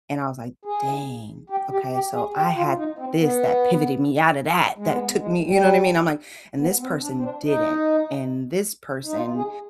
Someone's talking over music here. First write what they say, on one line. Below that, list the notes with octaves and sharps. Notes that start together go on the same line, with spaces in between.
and I was like, "Dang. Okay, so I had this that pivoted me out of that, that took me" you know what I mean? I'm like, "And this person didn't, and this person"
G#4
G4
G4
G4
G#4
G4
F4
D#4
C4
B3
G#3
B3
G#3
G3
B3
C4
D4
C4
D4
D#4
D#4
F4
G#4